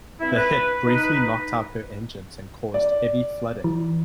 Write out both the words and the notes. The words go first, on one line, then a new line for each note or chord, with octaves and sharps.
The hit briefly knocked out her engines and caused heavy flooding.
G2 C4 E4
B4
D#4 B4
D5
E3